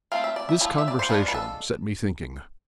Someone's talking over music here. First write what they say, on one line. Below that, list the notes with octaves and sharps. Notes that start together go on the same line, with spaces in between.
This conversation set me thinking.
A3 C4 F4 F5
E5
D5
E5
F3 A3 E4
E5
D5
C5
F3 G#3 D4 F4 B4
B4
A4